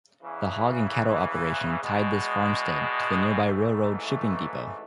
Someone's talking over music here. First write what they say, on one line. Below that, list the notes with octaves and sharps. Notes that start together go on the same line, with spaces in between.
The hog and cattle operation tied this farmstead to the nearby railroad shipping depot.
E2 C#3 E3
E2 B2 G#3
A1 G#2 E3 A3